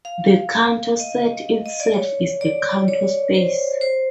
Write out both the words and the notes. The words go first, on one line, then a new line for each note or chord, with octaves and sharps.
The Cantor set itself is a Cantor space.
F5
D#5
D#5
D5
C#5
D5
C#5
C5
C5